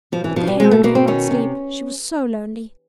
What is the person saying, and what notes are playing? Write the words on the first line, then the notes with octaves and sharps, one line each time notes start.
But the Heron could not sleep, she was so lonely.
B2 F3
E3
B2 F3
G3
B2 G#3
A3
B2 A#3
C4
D#3 C#4
C3